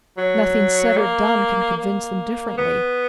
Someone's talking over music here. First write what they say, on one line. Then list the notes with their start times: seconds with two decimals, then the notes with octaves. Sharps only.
Nothing said or done can convince them differently.
0.18 F#3
0.97 A#3
1.77 A#3
2.57 B3